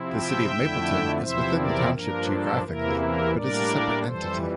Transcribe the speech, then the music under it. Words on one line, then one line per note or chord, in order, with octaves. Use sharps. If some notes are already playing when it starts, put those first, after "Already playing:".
The city of Mapleton is within the township geographically but is a separate entity.
Already playing: C3 F3 C4 E4
E5 G5
F2 D3 A3 E4
E2 C3 F3 C4 E4 C5 E5
A#4 D5
G2 F3 A#3 D4 A#4
A4
E2 C3 E3 A#3 E4 A#4
A#4
A2 G3 A#3 D4 A#4 D5
F2 E3 G3 A4 C5